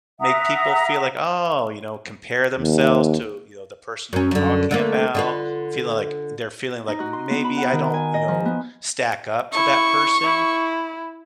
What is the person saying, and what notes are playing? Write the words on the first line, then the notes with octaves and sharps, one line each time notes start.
make people feel like, "Oh" you know, compare themselves to, you know, the person you're talking about, feeling like they're feeling like maybe I don't, you know, stack up to that person,
E5 F#5 A#5 D#6
D#2
F#2 C#4
F#2 D3
D3 A3 A#3
D3 F4 B4
D#4
F#4
C6
B3
B5
F#5
D#3
G#5
D#5
F3
B3
E4 C#6
E4